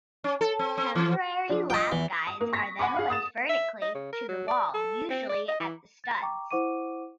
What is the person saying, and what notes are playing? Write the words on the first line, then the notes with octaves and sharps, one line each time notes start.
Temporary lath guides are then placed vertically to the wall, usually at the studs.
C#4
A4
C4
C4
E3
F3 D4
F4 D#5 G5
E2 E3
D#6
A#3
C#6 A#6 B6
F#5 G#5 B5 C#6 D6
G#4 F5 F#5
D#6 A6 E7
E5
D#5
C#3
A#4
F#3
D5
A4
C4
D5
D#5
E3
A6
G5 A#5 C#6 D6
E4 C5 F#5 C#6 D6 D#7